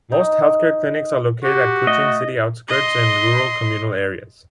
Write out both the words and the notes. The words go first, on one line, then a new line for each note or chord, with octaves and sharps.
Most healthcare clinics are located at Kuching city outskirts and rural communal areas.
D#4
F#4 G4
A3 D#5
D#5 C6